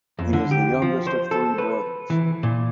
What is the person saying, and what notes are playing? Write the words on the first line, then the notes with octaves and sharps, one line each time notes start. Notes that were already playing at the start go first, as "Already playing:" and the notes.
He is the youngest of three brothers.
F2
D3
G4
F3
C5
A4
B4
E3
A#2